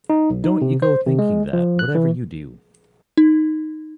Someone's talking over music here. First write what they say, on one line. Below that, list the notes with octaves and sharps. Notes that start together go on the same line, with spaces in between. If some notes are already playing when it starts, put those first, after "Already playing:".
Don't you go thinking that, whatever you do.
D#4
B1
D#4
C3
C5
C3
G#3
F3
F#6
E3
D#4